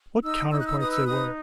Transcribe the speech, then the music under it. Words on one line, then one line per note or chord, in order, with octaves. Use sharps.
What counterparts they were!
D#4 E6
D#4 E6
F#6
E6
B4 D#6
E6
D#4 D#6